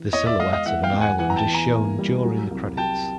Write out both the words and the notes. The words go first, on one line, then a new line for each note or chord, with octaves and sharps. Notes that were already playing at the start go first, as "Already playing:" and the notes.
The silhouette of an island is shown during the credits.
Already playing: E3
E2 C#5 D#5
D5 E5
G#3 D#5 F5
D#5 F5
E3 E5 F#5
F5 G5
E2
F#5 G#5
E3 F#5 G#5
A#5
G5 A5
E3
G#5 A#5
A#3
G3
F#3
C2
F#3 G5 A5